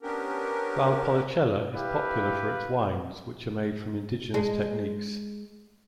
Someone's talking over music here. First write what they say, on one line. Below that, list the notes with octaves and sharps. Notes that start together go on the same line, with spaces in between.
Valpolicella is popular for its wines which are made from indigenous techniques.
B3 C#4 D4 G4 A#4
E4 G4 B4 F5
G#3